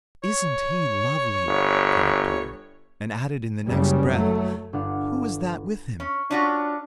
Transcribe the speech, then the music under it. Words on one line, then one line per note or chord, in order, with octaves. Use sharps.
"Isn't he lovely!"' cried Peter, and added in the next breath, "Who is that with him?"
C#5
G1
F#1 C#3 G3
F#3 A3
G1 D4 F5 F#5
C#4
C#4 D4 F4 F#4